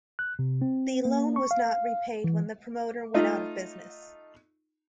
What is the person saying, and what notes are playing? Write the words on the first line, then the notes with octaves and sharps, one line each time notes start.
The loan was not repaid when the promoter went out of business.
F#6
C3
C4
A#3
C#6
F5
E3
A3 D#4 F4